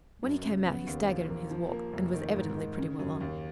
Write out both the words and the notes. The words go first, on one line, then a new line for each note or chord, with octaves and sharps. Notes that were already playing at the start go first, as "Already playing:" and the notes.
When he came out he staggered in his walk, and was evidently pretty well on.
F#2
C#3
B3
D#2
A#1
A#3
F3
A#3
F1
D#3
G#2
D#3
C#3
F#2
D#2